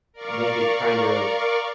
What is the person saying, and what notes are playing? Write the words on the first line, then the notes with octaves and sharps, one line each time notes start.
make it kind of
A#4 D5 F5 C#6